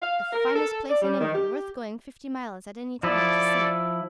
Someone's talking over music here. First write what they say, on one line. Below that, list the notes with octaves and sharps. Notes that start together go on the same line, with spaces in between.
"The finest place in England--worth going fifty miles at any time to see."
F5
A#4
A4
D5
G3
D#3
G4
F3 E4 A4 D5